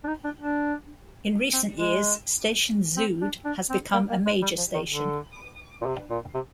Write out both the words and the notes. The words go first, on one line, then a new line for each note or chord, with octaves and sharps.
In recent years Station Zuid has become a major station.
D4
D#4
D4
D4
C4
G#3
C4
D4
D4
C4
A#3
A#3
G#3
G3
F3
D#3
D3
A#2
C3
A#2
C3